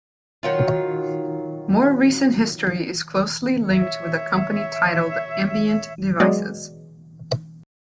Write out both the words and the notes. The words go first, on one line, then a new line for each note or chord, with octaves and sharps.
More recent history is closely linked with a company titled Ambient Devices.
D#3 F#3 F4
C#5 E5
F#3 G#3 B3 D5 D#5